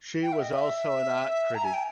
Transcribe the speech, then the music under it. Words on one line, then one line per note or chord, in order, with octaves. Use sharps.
She was also an art critic.
G5
E5
D#5
E5
A#5
G#5
G5